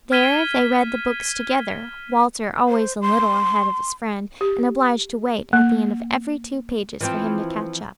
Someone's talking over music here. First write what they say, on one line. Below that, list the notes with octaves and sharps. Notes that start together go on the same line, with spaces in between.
There they read the books together, Walter always a little ahead of his friend, and obliged to wait at the end of every two pages for him to catch up.
F6 G#6 B6 D#7 E7 G7
C5
C6
G4
A#3
E3 F3 C4